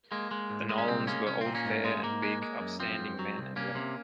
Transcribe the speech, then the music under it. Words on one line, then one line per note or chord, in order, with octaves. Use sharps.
The Nolans were all fair and big, upstanding men and women.
G#3 A#3
G#3
G#2
G#3
C#4
C2 C4
G#3 A#3 C#4
C2 C#4
C4
A#2
A#3 C#4
G#2
G#3
G#2 A#3
G#3
G#3
F#2
F3 C4
F#2
F#3
C2
C2 A#3 C#4
C3